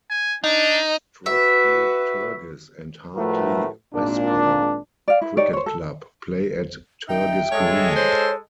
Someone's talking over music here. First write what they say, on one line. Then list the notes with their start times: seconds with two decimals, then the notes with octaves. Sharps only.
Stratfield Turgis and Hartley Wespall Cricket Club play at Turgis Green.
0.10 G#5
0.44 D4 D#4
1.26 F#4 B4 E5
3.16 A2 F3 A3 F#4 A#4 B4
3.94 G#1 A#2 D4
5.08 D5 F5
5.21 E4
5.37 D#4 G4 C#5 D5
5.53 C5 C#5
5.66 A4
7.08 D#4 E5 G5
7.52 G#3 A4 C#5
7.96 C5 C#5